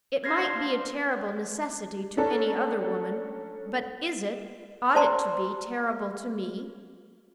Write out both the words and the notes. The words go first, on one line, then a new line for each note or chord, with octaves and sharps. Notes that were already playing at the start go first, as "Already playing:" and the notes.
It might be a terrible necessity to any other woman; but is it, ought it to be terrible to Me?
D4 C5 F5 G#6 A#6 C7
C#4 D4 A4 A#5
C5 D5 A5 A#5 C6